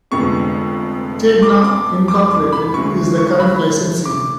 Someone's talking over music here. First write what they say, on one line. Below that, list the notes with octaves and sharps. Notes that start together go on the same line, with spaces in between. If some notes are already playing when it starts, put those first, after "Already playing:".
Tegna, Incorporated is the current licensee.
F1 F2 D3 G#3 B3 C#6
D6
D6
D6
D6
B5
D2 D3 G#3 C#6
C#6
B5
D6